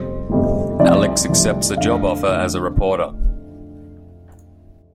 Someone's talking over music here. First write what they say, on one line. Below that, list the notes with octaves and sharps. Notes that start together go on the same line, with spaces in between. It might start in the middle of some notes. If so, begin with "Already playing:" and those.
Alex accepts a job offer as a reporter.
Already playing: G1 F2 C3 G3 C5
G1 F2 C3 G3
C2 C3 F3 D5
C2 C3 F3
F1 F2 D3 F3 F5
F1 F2 D3 F3